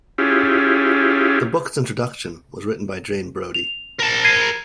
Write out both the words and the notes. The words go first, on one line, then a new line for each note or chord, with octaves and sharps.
The book's introduction was written by Jane Brody.
C#4 E4 F4 G4 G#4
F7
A#4 A5
G#6 C7 D#7